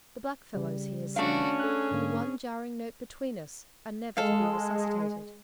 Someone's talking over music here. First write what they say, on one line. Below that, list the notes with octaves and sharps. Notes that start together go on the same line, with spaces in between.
The black-fellows he has slain--the one jarring note between us--are never to be resuscitated.
C#3 G3
A3 C#4 D4 F#4 F5
G#4 A4 F#6
G#2 D3 A#3
G#3 A4 F5